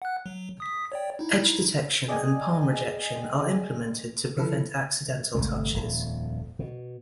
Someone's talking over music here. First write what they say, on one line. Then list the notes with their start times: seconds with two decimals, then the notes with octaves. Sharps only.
Edge detection and palm rejection are implemented to prevent accidental touches.
0.02 F#5 F#6
0.26 F#3
0.60 D#6 B6
0.92 C#5 D5 G5
1.19 D#4 E4
2.08 G#4 D5 D#5 G5 G#5
4.37 D3 F3 E4 A4 B4
5.35 G1 C#2 C3 A3
5.74 D#1 F2
6.59 B2